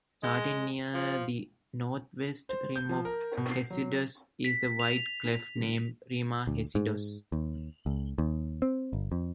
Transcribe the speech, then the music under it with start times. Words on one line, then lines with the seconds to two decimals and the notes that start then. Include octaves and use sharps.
Starting near the northwest rim of Hesiodus is the wide cleft named Rima Hesiodus.
0.23 G#3
0.94 F3
2.49 C5
2.76 G6
2.89 F3
3.05 A#4
3.37 B2
3.51 C7
3.70 F#3
4.45 B6
4.80 F7
6.47 D2
6.75 G#2
7.32 D#2
7.86 C#2
8.18 D#2
8.62 C4
8.93 G1
9.12 F2